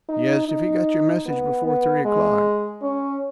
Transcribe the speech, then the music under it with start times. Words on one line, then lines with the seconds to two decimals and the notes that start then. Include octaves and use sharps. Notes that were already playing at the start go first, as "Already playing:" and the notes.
"Yes, if he got your message before three o'clock."
0.09 D#4
0.48 D#4
1.26 B3
1.66 B3
2.05 G#3
2.82 C#4